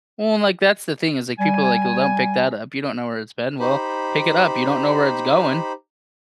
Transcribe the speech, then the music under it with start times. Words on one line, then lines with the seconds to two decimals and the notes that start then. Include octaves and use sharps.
Well, like, that's the thing is like people like, "Well, don't pick that up, you don't know where it's been." well, pick it up, you don't know where it's going.
1.39 G3 G#5
3.60 D#4 G4 C5 B5